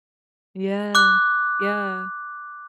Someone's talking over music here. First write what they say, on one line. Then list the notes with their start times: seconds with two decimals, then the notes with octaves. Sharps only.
Yeah. Yeah.
0.95 D6 F#6